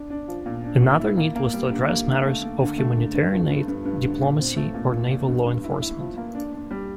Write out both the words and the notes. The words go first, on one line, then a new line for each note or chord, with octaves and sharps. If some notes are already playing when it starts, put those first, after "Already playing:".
Another need was to address matters of humanitarian aid, diplomacy, or naval law enforcement.
Already playing: D4
D4
F3
A#2
D4
A#2
E4
A#3
A#3
G3
D3
A#3
D3
A3
A3
D3
A3
D3
G2
F3
G2
G2
G2
D3
A#2
C4
A3
A#2
A#2
A#2
G2
G2
E4
E4
F3
A#3
D4
D4
G3